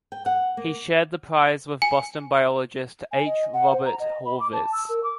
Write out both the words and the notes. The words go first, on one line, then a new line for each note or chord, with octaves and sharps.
He shared the prize with Boston biologist H. Robert Horvitz.
G5
F#5
A#3
G#5
G#5
D#5
F#5
C5
A#5
D#5
B5
D6
A5
E6
A#4
D6